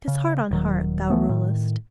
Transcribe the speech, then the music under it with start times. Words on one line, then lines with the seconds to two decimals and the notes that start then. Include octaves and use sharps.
'Tis heart on heart thou rulest.
0.08 C#3
0.51 D#1 D#3 F#3
1.10 C#2 E3 A3 B3
1.29 A2 D#3